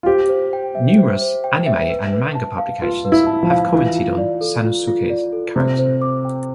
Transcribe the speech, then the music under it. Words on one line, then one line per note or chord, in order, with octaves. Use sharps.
Numerous anime and manga publications have commented on Sanosuke's character.
F4
G4 C5
C5
G5
E5
C5
C5
G5
E5
B4
B4
A5
F5
F4 B4
B4
E4
A5
F3
F5
E3 F4
F4
D5
A4
F4
F4
D5
A4
C3 C5
C5
D6
G5